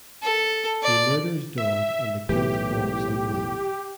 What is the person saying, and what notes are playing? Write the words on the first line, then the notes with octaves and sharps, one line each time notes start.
He murders Dodd and the guilt falls on Will.
A4
D5
E5
B1 A2 E3 G4